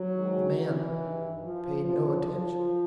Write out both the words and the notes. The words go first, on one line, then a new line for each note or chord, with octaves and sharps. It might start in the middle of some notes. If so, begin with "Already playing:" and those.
The man paid no attention.
Already playing: F#3
G#2 D#3
E3
G2 D#3
F3
E2 C3 E3 F3